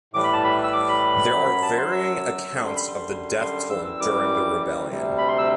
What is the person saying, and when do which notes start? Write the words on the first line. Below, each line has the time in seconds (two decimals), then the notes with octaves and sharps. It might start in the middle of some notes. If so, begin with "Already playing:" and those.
There are varying accounts of the death toll during the rebellion.
0.13 A2 E3 G3 D6
0.24 B5
0.33 A5
0.44 B5
0.63 E6
0.73 D6
0.88 B5
1.32 F#2 F#3
1.62 A5
1.77 C6
1.92 E6
2.51 F#2 D3 G3
2.67 C6
2.76 B5
2.80 C6
3.41 C6
3.70 F#2 E3 G3 E6
3.85 E6
4.00 D6
4.89 D2 C3 G3
5.18 B5
5.28 C6
5.38 E6